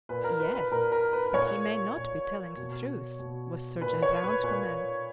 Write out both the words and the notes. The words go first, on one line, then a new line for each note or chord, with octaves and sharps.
"Yes; but he may not be telling the truth," was Sergeant Brown's comment.
A#2 B4
A#4
B4
B4
A#2 A#4
A#4
B4
B4
A#2 C#5
A#2
B2
B2
A#2 B4
C#5
B4
A#2 B4